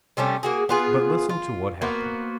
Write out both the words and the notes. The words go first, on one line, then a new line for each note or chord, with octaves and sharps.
But listen to what happened.
C3 G3 A3 C#4
A#3 F#4 G#4
B3 F4 G#4
F4
A#3 B3 F#4 C5